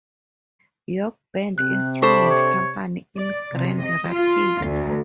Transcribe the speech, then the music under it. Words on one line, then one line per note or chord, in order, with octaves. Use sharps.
York Band Instrument Company in Grand Rapids.
C3 F#6
D4 A4 C5 B5 C#6
C#5
D5
C3
D#5
F4
D2